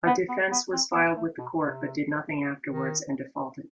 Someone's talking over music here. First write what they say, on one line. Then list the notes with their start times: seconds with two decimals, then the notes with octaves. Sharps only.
A defence was filed with the Court but did nothing afterwards and defaulted.
0.07 B3
0.29 B3
0.52 B3
0.73 C4
0.95 B3
1.17 A3
1.39 B2
1.60 C3
2.69 D#3